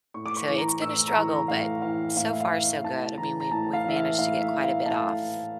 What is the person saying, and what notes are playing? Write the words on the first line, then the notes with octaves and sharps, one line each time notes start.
So, it's been a struggle, but so far so good, I mean, we we we've managed to get quite a bit off,
A2 C#6
D6
C#6
E3 C#6
A#5
C#6
A2 E6
A#5
E3 C#6
A#5
A2 F5
E3 F5
A2 F5
E5
F5
E3
A2 A5
E3 A#5
A#5
A2 A5
F5
E3 E5
F5
A2 F5
E5
E3
F5
A2 A5